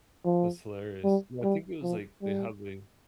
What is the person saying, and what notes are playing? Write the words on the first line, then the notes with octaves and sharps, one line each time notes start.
That's hilarious. Yeah, I think it was like they how they
F3
G3
G3
F3
G3